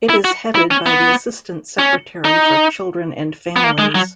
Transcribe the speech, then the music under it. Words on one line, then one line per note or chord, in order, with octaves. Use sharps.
It is headed by the Assistant Secretary for Children and Families.
E4
F#4
E4
C#4
B3
C#4
D#4
B3
A#3
G#3
F#3